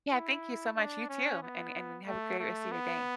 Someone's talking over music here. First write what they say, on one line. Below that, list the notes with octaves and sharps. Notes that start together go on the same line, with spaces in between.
Yeah, thank you so much, you too, and and have a great rest of your day.
E4
D4
C#4
B3
A3
A3
B3